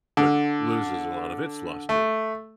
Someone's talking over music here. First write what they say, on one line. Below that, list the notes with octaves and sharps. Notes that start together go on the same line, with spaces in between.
but loses a lot of its luster.
D3
A3